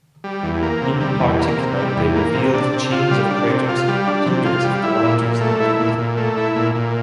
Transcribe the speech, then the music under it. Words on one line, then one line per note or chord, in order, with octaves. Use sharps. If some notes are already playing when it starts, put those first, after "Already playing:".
In particular, they revealed chains of craters, hundreds of kilometers in length.
G3
E2
A#3
C3
G3
E2
A#3
C3
G3
E2
A#3
C3
D4
C3
F4
G3
D4
C3
F4
G3
D4
C3
F4
G3
E4
A#2
A#2
A3
E4
A#2
A#2
A3
E4
A#2
A#2